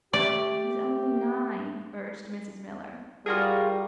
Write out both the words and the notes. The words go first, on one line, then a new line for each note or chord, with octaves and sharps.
"He's only nine," urged Mrs. Miller.
A3 G4 D5
G3 F4 F#4 G#4 A#4